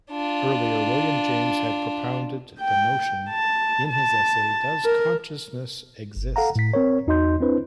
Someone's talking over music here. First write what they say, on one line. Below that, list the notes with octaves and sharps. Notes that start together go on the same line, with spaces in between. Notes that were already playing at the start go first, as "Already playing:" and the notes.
Earlier, William James had propounded the notion in his essay Does Consciousness Exist?
D4 F4
G5
A5
A5
A#4
G1
A4 F5 F#5 A#5
A2 B6
C4 A#4 C#5
E2 D#4 F#4 D#5 C6 G6
C4 D4 E4 B4 C5